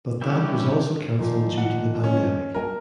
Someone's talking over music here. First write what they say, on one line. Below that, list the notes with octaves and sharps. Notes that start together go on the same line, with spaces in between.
But that was also cancelled due to the pandemic.
E3 G3 C#4 D4 G4 E5 G5
A#2 D#3 F3
F#5
C#4
A#4 D5 G#5 A5